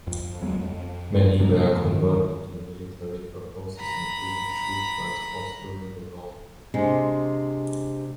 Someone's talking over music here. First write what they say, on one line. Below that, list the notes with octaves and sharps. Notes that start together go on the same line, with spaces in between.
Many were converted to military purposes including troop-transports during the war.
F2
D2 F#3 G#3 B3
F2
C3 G#3 A#3 D4
A2 F3
G2 D#3 E3
A#5 B5
C3 G#3 D4